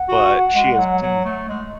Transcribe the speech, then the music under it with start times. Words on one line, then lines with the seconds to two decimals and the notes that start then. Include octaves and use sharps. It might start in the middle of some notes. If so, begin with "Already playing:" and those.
But she has hmm
Already playing: F#5
0.09 F#4
0.55 G#3
0.78 F#3
1.02 F#3
1.25 A3
1.49 G#3